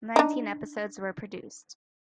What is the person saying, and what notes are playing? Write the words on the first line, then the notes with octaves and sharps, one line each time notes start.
Nineteen episodes were produced.
D4 D#4